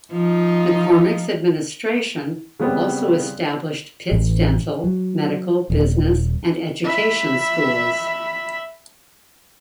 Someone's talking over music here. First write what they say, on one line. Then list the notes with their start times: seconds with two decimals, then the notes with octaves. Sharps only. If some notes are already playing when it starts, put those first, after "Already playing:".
McCormick's administration also established Pitt's dental, medical, business, and education schools.
0.12 F3 D#4 F4
2.59 C#3 G3 B3 C4
4.12 A1
4.84 F#3
5.70 D#1
6.84 E5 B5